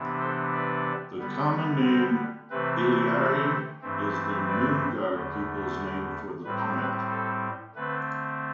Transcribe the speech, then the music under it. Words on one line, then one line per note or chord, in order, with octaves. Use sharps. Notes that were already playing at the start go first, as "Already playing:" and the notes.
The common name "Illyarrie" is the Noongar peoples name for the plant.
Already playing: C3 E3 B3 D4
A4 C5
B4 D5
D3 G3 B3
A4 C5
C3 E3 A3 C4 B4
A4
G2 E3 A3 C4
B4 D5
E2 D3 A3
A2 G3 C4 B4
B4
A4
D3 A3 C4 B4